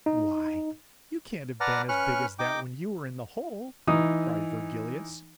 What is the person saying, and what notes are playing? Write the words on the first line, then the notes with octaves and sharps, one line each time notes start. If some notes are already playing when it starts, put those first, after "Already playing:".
'Why, you can't have been as big as that when you were in the hole!' cried Virgilius.
D#4
B4 D5 F#5 A5 A#5 F6
C#4 B4 C#6 F6 F#6
D#4 G5 D6
E3 D#4 D#6